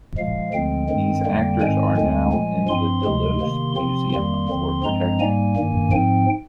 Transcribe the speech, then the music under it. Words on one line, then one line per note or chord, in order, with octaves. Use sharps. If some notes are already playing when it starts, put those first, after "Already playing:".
These actors are now in the Delos Museum for protection.
A#2 F3 G#3 F5
D2 D3 F3 G#3 C4 G5
G2 D#3 G#3 C4
F2 D3 G3 A#3
G#2 D#3 G#3 C4 G#5
D2 D3 G#3 C4
A#2 F3 G#3
G2 F3 C4 C6
D2 C3 F3 G#3
C3 D#3 A#3
C3 F3 C4 C6
F2 D#3 G3 A#3 C6
D#2 D3 F3 C4
G2 F3 G#3 C4 A#5
G#2 G3 A#3 G#5
G2 D#3 A#3
G#2 F3 C4 G5